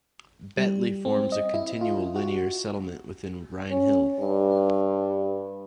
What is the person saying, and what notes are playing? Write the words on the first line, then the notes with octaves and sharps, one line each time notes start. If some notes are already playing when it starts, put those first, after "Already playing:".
Betley forms a continual linear settlement with Wrinehill.
G3
C4
D#5
E4
F4
F#4
C#4
G2